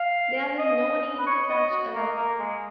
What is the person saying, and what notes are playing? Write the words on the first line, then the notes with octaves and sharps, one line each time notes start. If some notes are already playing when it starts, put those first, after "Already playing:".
There was no need for such alarm.
Already playing: F5
D#5
B4
C#5
D#5
F#4
A#3
A#3
G#3